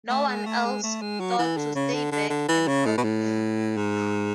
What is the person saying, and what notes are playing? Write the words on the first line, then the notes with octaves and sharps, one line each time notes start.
No one else thought to stay back and help him.
A3
G#3
A3
G#3
A3
G#3
F#3
E3
D3
C#3
D3
D3
D3
E3
C#3
A2
B2
A2
G#2